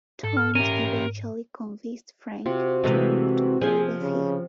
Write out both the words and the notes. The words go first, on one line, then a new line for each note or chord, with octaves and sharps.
Townes eventually convinced Frank to move to Philadelphia.
G#2 A4
F6
C#4 G4 A#4 D#7
C3 F4 F#4
C3 E3 G#3 A4 D#5 F5
F3 G#4 E5 G#5
C#3